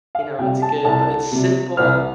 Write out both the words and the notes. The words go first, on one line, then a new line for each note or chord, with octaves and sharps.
You know, it's good. But it's simple,
F5
C3 G3 G5
A5
C2 A5
C3 G3
C2 F6